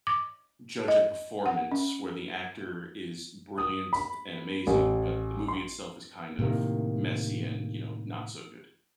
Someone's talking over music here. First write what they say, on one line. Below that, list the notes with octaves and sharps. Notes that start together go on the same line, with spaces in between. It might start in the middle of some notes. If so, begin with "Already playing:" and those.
judge a performance where the actor is brilliant and amazing, but the movie itself is kind of messy and, you know, not so good?
D6
D#5
F#5
C#4
D#6
B5
A1
C6
A2 C3 D#3 A#3